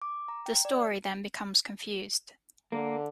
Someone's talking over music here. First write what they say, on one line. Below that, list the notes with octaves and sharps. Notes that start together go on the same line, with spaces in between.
The story then becomes confused.
D6
A#5
G5
D5
D3 A#3